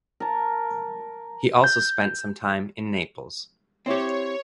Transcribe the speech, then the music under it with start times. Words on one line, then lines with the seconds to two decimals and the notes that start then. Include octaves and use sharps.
He also spent some time in Naples.
0.20 A#4 A5
1.64 G6
3.86 C4 E4 G4 C#5